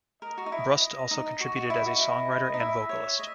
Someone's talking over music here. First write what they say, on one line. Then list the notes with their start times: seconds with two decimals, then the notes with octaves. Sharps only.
Brust also contributed as a songwriter and vocalist.
0.22 A#4 D#5
0.38 F#4
0.46 D#4
0.52 E4
0.81 D#5
1.11 D#4
1.40 F#4
1.56 F#4
1.70 E4 D#5
1.86 F#4
2.00 E4
2.54 D#4
2.60 E4 E5
2.89 C#5
3.19 D#5